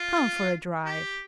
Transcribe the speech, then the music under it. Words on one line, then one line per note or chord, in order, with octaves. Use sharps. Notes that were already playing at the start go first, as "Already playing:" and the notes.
Come for a drive!
Already playing: F4
G4